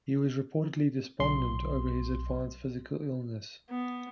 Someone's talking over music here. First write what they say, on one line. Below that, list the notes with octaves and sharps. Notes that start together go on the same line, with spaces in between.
He was reportedly despondent over his advanced physical illness.
B1 C6
B3